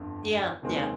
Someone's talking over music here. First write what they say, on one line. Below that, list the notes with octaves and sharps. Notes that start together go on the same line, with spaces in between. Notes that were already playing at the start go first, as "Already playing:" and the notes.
Yeah, yeah,
Already playing: G1 F2 D3
F1 D#2 D#3 G#3 C4